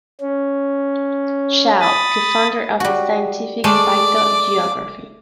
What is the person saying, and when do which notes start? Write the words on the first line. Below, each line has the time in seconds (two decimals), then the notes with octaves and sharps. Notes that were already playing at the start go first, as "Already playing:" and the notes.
Schouw, co-founder of the scientific phytogeography.
0.21 C#4
1.81 B5 D#6 A6
2.80 G3 F#4
3.64 G#3 A3 D5